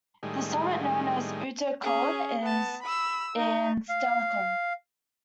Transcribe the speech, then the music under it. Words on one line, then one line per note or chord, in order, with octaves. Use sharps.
The summit, known as Uto Kulm, is in Stallikon.
A2 D#3 G3 G#3
C#4 G#4
B3 A5
B5 E6
D#4
F5